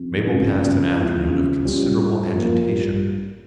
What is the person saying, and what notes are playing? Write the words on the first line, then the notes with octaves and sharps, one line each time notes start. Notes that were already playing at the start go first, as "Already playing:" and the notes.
Mabel passed an afternoon of considerable agitation.
Already playing: F2
C#3 F3 G#3 C4
C#3
F3 G#3 C4 E4
C#3
G3 C#4 F4
G2
F3 A#3
G2